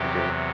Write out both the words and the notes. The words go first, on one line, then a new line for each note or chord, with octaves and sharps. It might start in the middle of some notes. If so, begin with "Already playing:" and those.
We do.
Already playing: E2 C3 F#3 G4